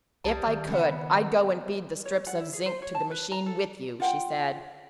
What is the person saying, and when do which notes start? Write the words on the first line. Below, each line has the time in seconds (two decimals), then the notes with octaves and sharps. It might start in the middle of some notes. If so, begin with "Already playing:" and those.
"If I could, I'd go and feed the strips of zinc to the machine with you," she said.
0.24 C2 G3 G#4 A5
0.47 D#3
0.67 C#3 B3
2.06 C#5
2.27 F#5
2.40 E4
2.53 G#4
2.66 C5
2.82 C#5
2.95 A5
3.11 B4
3.32 A#5
3.46 A4
4.00 F4 F#5 G5